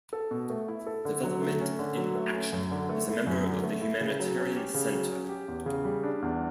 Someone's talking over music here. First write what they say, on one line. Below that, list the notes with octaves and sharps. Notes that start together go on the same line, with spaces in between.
Development in Action is a member of the Humanitarian Centre.
A4
B2
A3
E4
A4
D3
F#3
A3
C#4
D3
F#3
A3
C#4
F#2
D3
A3
E4
F#2
D3
A3
E4
C#3
F#3
C#4
G4
C#3
F#3
C#4
G4
E2
C#3
G3
D4
E2